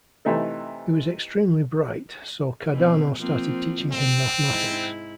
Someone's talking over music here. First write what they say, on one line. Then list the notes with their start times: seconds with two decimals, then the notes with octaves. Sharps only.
He was extremely bright, so Cardano started teaching him mathematics.
0.25 C3 E3 A3 D#4 A4
2.71 B2 E3 C4
3.18 F3 A#3 C4
3.92 C3 C4
4.47 G#2 E4